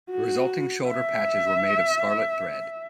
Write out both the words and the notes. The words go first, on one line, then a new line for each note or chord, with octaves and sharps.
The resulting shoulder patches were made of scarlet thread.
F#4
E5